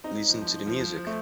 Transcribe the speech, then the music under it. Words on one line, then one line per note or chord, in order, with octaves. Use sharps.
Listen to the music...
C4 D#4
F3
F3
D#3
F3
F3
F3
A3